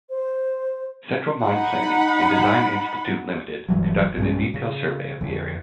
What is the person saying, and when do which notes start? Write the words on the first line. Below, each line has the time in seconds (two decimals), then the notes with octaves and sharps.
Central Mine Planning and Design Institute Limited conducted a detailed survey of the area.
0.09 C5
1.42 D#4 F#5 B5
3.69 F1 G2 E3 F#3
4.17 B1 G2 G#3 C#4
4.54 C#3
5.21 F2 D3